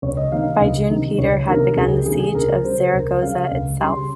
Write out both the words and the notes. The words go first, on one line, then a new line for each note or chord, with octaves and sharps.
By June Peter had begun the siege of Zaragoza itself.
C#2 C#5
D#5
C3 D#3 A#3 D#4 F5
C#2 D#5
C3 D#3 A#3 D#4
C#2 C#5
C3 D#3 A#3 D#4 A#4
C#2 G#4
G4
C3 D#3 A#3 D#4 G#4
G#4
C#2 A#4
C#3 G3 C5
C#2 A#4
C#3 G3 F5
C#2
C#3 G3 C6